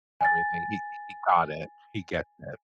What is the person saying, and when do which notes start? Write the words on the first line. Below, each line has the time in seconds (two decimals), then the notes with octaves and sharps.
Everything, he he got it. He gets it.
0.21 G#5 A6